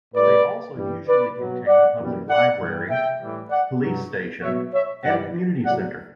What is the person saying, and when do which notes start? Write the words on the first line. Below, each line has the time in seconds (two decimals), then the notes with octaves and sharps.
They also usually contain a public library, police station and a community centre.
0.14 A2 G3 B4 D5
0.76 G2 E3 G3
1.06 B4 D5
1.37 B2 F#3
1.67 D5 F#5
1.98 F#2 E3 G3
2.28 D5 F#5
2.59 G2 E3 G3
2.90 E5 G5
3.20 A2 E3 G3
3.50 D5 F#5
3.81 G2 F#3
4.43 B2 F#3 C#5 E5
4.73 C#5 E5
5.03 G2 E3 G3 D5 F#5
5.64 A2 F#3 D5 F#5